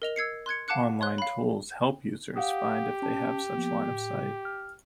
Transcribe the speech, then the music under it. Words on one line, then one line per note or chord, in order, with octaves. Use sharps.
Online tools help users find if they have such line of sight.
A#4 D#5 F7 G7
E6 G#6 C7 C#7
C6 F#6 G#6 C#7
F5 F#5 A5 D6 F#6 C#7
C#5 C6 F#6
F5 B5
G4 F5 F#5 D#6
C#4 A5
F3 A#3 B3
A2
F6